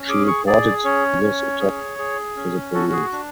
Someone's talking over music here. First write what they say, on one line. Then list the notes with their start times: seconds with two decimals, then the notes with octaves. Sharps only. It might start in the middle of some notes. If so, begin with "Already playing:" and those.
She reported this attack to the police.
Already playing: C#4
0.09 G#4 D6
0.28 C#6
0.47 G#4 D5
0.84 C#4 C#5
1.23 C#4
1.60 G#4
1.98 G#4
2.36 C#4
2.74 F#4 A4
2.92 G#4
3.12 D4